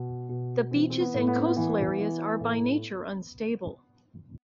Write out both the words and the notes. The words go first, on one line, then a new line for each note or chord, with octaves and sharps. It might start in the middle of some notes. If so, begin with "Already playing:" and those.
The beaches and coastal areas are by nature unstable.
Already playing: B2
B2
E3 C4
C4
B3
A2
B3
C4
B3
E3 B3
E3
A2